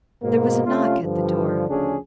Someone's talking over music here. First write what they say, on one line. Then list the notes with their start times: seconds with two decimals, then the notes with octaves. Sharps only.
There was a knock at the door.
0.23 G#2 B2 A#3
0.66 C3 A3 C#4 F4
1.04 G2 D3 F3
1.69 D2 C#3 F3 C#4 D4 G#4